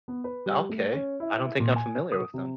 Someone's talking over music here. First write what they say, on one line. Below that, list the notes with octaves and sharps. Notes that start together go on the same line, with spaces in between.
Okay. I don't think I'm familiar with them.
B3
B4
G3
A3
C#4
E4
A#2
G#5
D#6
C3